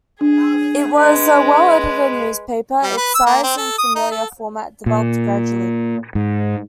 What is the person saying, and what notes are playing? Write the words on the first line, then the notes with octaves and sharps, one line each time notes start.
It was a well-edited newspaper, its size and familiar format developed gradually.
D4 G#4
G#3 B4
G3
B4
E6
A#3
C4
A4
D#6
D#4
A4
A#2
G#2